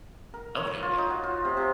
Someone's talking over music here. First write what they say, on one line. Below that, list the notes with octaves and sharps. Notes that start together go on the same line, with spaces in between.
Oh no, yeah.
A#4
C#5
C#5
F4
D#4
F#4
F4
C3
C3